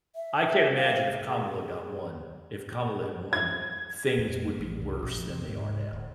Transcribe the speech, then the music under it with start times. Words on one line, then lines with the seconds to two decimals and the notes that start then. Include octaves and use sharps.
I can't imagine if Kamala got won. If Kamala had won, things would be worse than they are now.
0.16 E5
0.75 F5
1.25 G#4
3.33 G#6
4.19 F2
4.45 A#3
4.59 A1
4.82 C2
5.02 A#1
5.17 F2
5.30 C3
5.48 G#2
5.93 D1